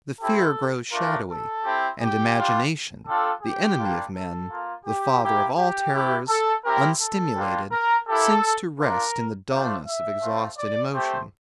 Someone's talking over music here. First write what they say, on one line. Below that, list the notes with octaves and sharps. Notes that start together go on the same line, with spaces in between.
The fear grows shadowy; and Imagination, the enemy of men, the father of all terrors, unstimulated, sinks to rest in the dullness of exhausted emotion.
C4 E4 G4 A4
A3 D4 F4 A#4
A4
C4 E4 G4
G4
G3 D4 F4
G3 D4 F4 A4
G4
G3 A#3 D4 F4
A4
A#3 F4
G4
A#3 E4 G4
G4
A3 E4 G4
A4
C4 E4 G4 A#4
A4
G3 A#3 D4 F4
A#4
A#3 E4 G4 A4
A#3 D4 F4 A#4
A3 D4 F4 C5
E5
A3 C4 F4
D5
A3 C4 G4 C5